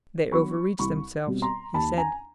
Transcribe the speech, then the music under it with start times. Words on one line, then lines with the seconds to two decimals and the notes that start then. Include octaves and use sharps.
"They overreached themselves," he said.
0.32 F#3 B3 D4 B5 C#6
0.79 C2 B5 C#6
1.27 B2 G3 C4
1.42 A#5 C6
1.74 D#2 A5 B5
1.98 G#5 A#5